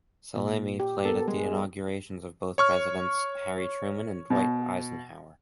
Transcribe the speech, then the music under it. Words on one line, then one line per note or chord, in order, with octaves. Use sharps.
Salemi played at the inaugurations of both Presidents Harry Truman and Dwight Eisenhower.
A#2
G4
B3 A4 A#4
G3 G#3
C#5 C#6 F6
B2